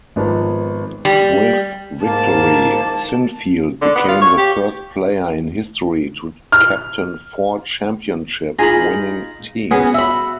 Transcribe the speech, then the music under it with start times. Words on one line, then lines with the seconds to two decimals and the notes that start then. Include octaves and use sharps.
With victory, Sinfield became the first player in history to captain four championship-winning teams.
0.16 G#1 F3 B3
1.05 G3
2.05 G#2 A#3 A5
3.81 D3
3.95 B3
4.08 F4
4.22 C#5
4.38 G4
6.52 F6
8.59 D#4 F4 G#4 A#5 B5
9.71 B3 C#4 F#4 G#4
9.94 F#4 E5 B5